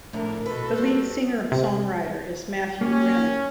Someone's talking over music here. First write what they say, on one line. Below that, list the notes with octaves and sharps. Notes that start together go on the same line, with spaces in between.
The lead singer-songwriter is Matthew Grimm.
F2 A2 D3 D4 A#4
B2 F#4 A4 B4
G3 C5
C3
A#3 C#4 G4